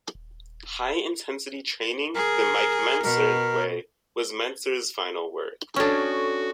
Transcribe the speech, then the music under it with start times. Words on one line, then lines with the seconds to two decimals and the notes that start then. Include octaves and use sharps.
"High-Intensity Training the Mike Mentzer Way" was Mentzer's final work.
0.15 D#1
2.15 G#4 A#4
3.04 B2 A#4
5.76 C#4 D4 F#4 A4 C#6